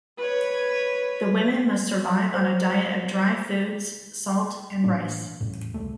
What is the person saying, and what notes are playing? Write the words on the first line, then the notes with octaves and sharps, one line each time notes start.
The women must survive on a diet of dry foods, salt, and rice.
B4 C#5
C5
A2 E3 A#3 D4
E2 A2
C2 G#2 G#3 A3